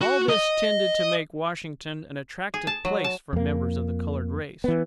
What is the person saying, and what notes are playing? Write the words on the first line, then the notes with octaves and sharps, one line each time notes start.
All this tended to make Washington an attractive place for members of the coloured race.
F#4
D#5
G#4
A5
F#3
A5
F2 A#3
E3 B3